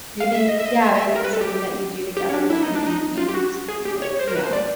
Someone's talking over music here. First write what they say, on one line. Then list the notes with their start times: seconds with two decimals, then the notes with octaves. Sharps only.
maybe Yeah, maybe it could be something that you do together, like, in the evenings, like, you know,
0.20 F5
0.34 E5
0.48 D#5
0.59 E5
0.65 D#5
0.82 E5
0.95 D#5
0.98 E5
1.15 A#4
1.24 B4
1.33 A4
1.41 G4
2.17 G4
2.29 C#4
2.33 D4
2.50 E4
2.62 D#4
2.75 D4
2.87 D#4
3.17 F4
3.28 G4
3.34 F#4
3.68 G#4
3.85 G4
4.02 C#5
4.19 C5
4.27 A#4
4.35 B4
4.44 C5
4.53 D5